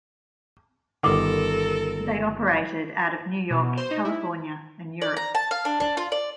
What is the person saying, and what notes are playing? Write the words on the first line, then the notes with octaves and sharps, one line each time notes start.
They operated out of New York, California and Europe.
G1 D#3 A4 A#4 F#5 D6
B2
C5
D#4
E4
D5
A#5
A5
F5
D4
D4
F4
D5